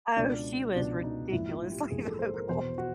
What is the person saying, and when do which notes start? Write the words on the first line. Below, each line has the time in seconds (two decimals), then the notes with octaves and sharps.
Oh, she was ridiculously vocal,
0.17 C#2 B2 D4
0.75 C#2 B2 D4
1.04 D#4
1.32 A#1 G#2 E3 E4
1.52 F4
1.71 G4
1.91 A#1 G#2 E3 G#4
2.05 A4
2.19 C5
2.34 A#4
2.49 E2 B2 C5
2.78 F#4